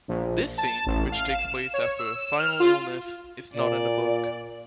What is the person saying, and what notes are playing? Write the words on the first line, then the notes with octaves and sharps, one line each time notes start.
This scene, which takes place after her final illness, is not in the book.
A#1
A5
A1
F5
E7
C#5
E6
E7
F6
F4
A#2 D5